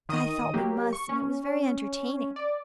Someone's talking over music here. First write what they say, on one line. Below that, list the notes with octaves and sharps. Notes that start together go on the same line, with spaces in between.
'Guy thought we must, and it was very entertaining.
D#3 D#5 D#6 D#7
F#3 A#3 G4
C#6
C#4
D5